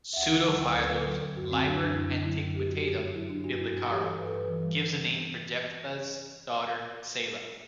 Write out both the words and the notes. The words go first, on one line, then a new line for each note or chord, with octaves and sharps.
Pseudo-Philo's "Liber Antiquitatum Biblicarum" gives a name for Jephthah's daughter, Seila.
E5
D2 F#5
D3 F#5
F#3 A5
D2 G5
D2 A4
B4
D3 A4
F#3
D2
F#2 F#4
D3 C4
F#3 D4
F#2 D4
F#2 E4
D3 D4
F#3 E4
F#2
F#3 G4
F#3 F#4
G2 G4
G2
F#3 E4
F#3 D4
G2 F#4
G2 E4
G2
E3 G4
G3 A4
G2 B4
A4
G2 B4
E3
G3